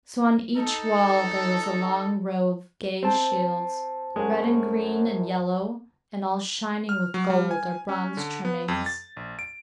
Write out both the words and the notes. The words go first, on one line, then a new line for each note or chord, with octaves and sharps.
So on each wall there was a long row of gay shields, red and green and yellow, and all shining with gold or bronze trimmings.
D#4 A4
C4 C5 A5
F#2 G#3
F6
F#3
G3
G#5
C#4
D3
B3
F2
A6
A#1
D7